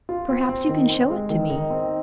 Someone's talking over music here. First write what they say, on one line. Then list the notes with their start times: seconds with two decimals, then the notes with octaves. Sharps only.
Perhaps you can show it to me?'
0.09 F4
0.29 C4
0.49 C4
0.69 D#3
0.90 C4
1.10 G#3
1.30 D#3
1.50 D#4
1.70 C4